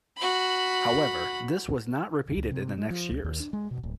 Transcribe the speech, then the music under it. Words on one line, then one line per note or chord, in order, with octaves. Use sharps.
However, this was not repeated in the next years.
F#4 B5
C#2
C3
G#3
F3
C#2
D#2
D4
G#3
B2
D1